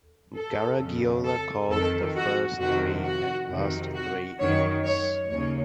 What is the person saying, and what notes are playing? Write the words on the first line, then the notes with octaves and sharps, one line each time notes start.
Garagiola called the first three and last three innings.
A4
F2 C#3
A4
F2 D#3 A4
F#4
F2 C3 D#3 F#4
F#4
F2 C3 D#3
F#4
F#2 D#3 C#5
C#5
D#2 C#3 C#5